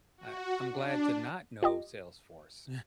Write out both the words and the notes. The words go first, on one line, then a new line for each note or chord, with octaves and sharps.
I I'm glad to not know Salesforce
F#4
D4
F4 G4 D#5